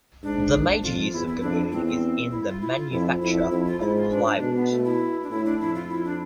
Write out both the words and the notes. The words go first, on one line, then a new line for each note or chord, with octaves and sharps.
The major use of Gaboon is in the manufacture of plywood.
G#2 D4
F2 F4
E2 E4
E4
F2 D4
E2 C4
C4
E4
F4
E4
F4
F2 E4
F2 E4
F2 E4
F4
G#2 E4
F4
D4
D4
B2 D4
B3
A3
E4
D4
A2 E4
D4
F2 E4
F4
E4
D4